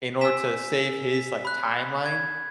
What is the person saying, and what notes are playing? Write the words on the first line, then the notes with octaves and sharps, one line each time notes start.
in order to save his, like, timeline,
G#5 E6 B6 E7
B6
B5 F#6
G#6